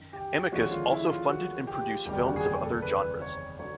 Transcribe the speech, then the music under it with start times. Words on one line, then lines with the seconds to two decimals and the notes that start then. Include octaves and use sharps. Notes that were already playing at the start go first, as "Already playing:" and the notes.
Amicus also funded and produced films of other genres.
Already playing: F#2 D#3
0.13 G4
0.52 D#2 D3 F3 G#3 C#4 F#4
0.72 F4
0.91 E4
1.10 F4
1.28 F#4
1.67 G4
2.06 F#1 E2 C3 D#3 G3 G4
2.25 F#4
2.36 G#4
2.44 G4
2.63 A4
2.82 B4
3.22 C#5
3.59 D3 F#3 C#5